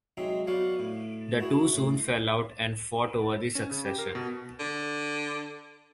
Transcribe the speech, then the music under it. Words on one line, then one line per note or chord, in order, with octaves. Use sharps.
The two soon fell out and fought over the succession.
F#3 G#3 C4 D#4 E5
F#3 B3 F#4 D5 F5 F#5
A2
E4 F#4 G#4
A2
C#4
C#3
G4
A#4
B2
D3